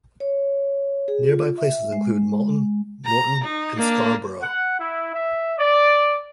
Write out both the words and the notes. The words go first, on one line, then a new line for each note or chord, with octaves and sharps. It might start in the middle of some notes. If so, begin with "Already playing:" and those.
Nearby places include Malton, Norton and Scarborough.
C#5
G#4
F4
E5
G#3
A#5
D#4
A#3 D4
F#5
E4
E5
D5